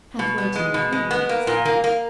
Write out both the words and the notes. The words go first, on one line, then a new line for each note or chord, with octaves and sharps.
'Half-way to Newhaven,'said Dan.
B2
B3
G#3
B2
G#3
B3
A#3
A#2
A#3
A#3